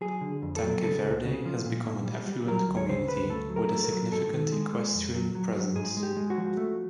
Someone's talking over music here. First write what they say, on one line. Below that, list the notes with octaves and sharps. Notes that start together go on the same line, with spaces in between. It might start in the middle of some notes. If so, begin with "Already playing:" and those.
Tanque Verde has become an affluent community, with a significant equestrian presence.
F#3 G#4
D3
F2
A4
F#3
C#3 A4
C#2
C#3
F3
A#2
A#2
G3
G3
F#3 A#4
D2
C#5
C#3 C5
D2 B4
A3 A4
F#3
A#4
A3
A#4
F#3
G#2 A4
D#3
G#3
G#3
F2
F#3
F#3
F#3
G#2 G#4
G#3
G4
G#3
F#4
F3
A3